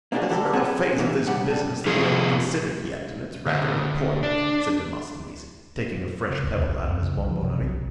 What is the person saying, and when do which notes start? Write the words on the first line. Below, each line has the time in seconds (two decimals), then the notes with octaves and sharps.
"There's another phase of this business that we haven't considered yet, and it's rather important," said Demosthenes, taking a fresh pebble out of his bonbonniere.
0.12 A#3 B3 D4 E4 F#4 G#4
0.29 C#2 D3 D4 G4 A4 A#4
0.53 C4 G#4 A4 B4 F#5 G#5
0.98 D#3 E3 G#3 A#3 E4
1.26 B1 C#3 G3 F#5
1.50 G3 A4
1.86 C3 F3 A3 F4 G4 G#4
3.46 D2
4.23 D4
6.30 C#3
6.44 D2
6.56 E2
6.69 C2
6.88 F2
7.02 C#3
7.18 B1
7.31 F3
7.43 C3
7.61 B1
7.74 C2